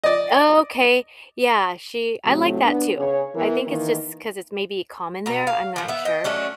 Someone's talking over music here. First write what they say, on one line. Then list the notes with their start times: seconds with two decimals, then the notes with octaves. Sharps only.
Okay, yeah, she I like that too, I think it's just 'cause it's maybe common there, I'm not sure,
0.04 D5 D#5
2.25 A2 C3 F#3
2.63 B3 D4
2.98 C#3 G#4 C#5
3.35 E3 B3 A#4
3.67 D#3 E3 A#3
5.26 B2 A#5
5.47 F5
5.76 E3 F3
5.88 B3 E5
6.05 D#5 G5
6.24 F#3 A3 C#4 D4